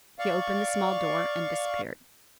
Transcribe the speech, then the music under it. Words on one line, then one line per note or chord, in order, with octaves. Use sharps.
He opened a small door and disappeared.
D5 F5 C#6